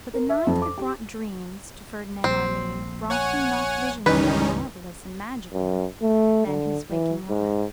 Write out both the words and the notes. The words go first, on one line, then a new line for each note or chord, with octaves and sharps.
But the night that brought dreams to Ferdinand Armine brought him not visions more marvellous and magical than his waking life.
A#4
E5
F2
D6
G4
A#1 C4
C#5 F#5 G#5
C#2 G2 D#3 E3 G3 C#4 D#4 B4
F#2
A3
D3
E3
G#2